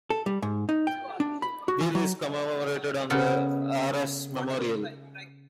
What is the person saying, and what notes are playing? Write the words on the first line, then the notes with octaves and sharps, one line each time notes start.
Beal is commemorated on the Arras Memorial.
A4
G3
G#2
D#4
G5
D4
B5
F#4
E3
F#3
C#3 B3 A4 A#4